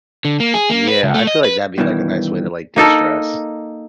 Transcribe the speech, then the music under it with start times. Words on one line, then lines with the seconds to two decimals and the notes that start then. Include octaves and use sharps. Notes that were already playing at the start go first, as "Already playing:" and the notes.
Yeah, I feel like that'd be, like, a nice way to, like, de-stress.
0.25 D3
0.40 A#3
0.54 G#4
0.70 A#3
0.88 B4
1.03 C#2
1.14 A3
1.27 D#5
1.45 B4
1.78 G2 B2 D#3 E3
2.76 A#3 D#4 A4 A#4